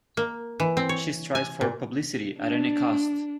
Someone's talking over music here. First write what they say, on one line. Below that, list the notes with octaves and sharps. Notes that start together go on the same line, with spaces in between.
She strives for publicity at any cost.
A#3
E3
C4
C#5
G#5
A#2
D4